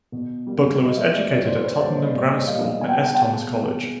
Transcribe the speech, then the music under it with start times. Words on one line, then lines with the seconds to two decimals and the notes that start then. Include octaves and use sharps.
Buckler was educated at Tottenham Grammar School and S Thomas College.
0.12 B2
0.47 G3 A#3
0.80 B2 D#5
0.96 D5 E5
1.13 G3 A#3 D5 E5
1.30 C#5 D#5
1.46 A#2 C5 D5
1.57 C5
1.64 B4 C#5
1.80 G3 A#3 C5 D5
1.97 C#5 D#5
2.14 A#2 C5 D5
2.31 C#5 D#5
2.47 G3 A#3 D#5 F5
2.64 D#5 F5
2.81 B2 G#5
2.89 G5
2.97 F#5
3.04 F5 G5
3.14 G#3 G5 A5
3.49 B2
3.82 G#3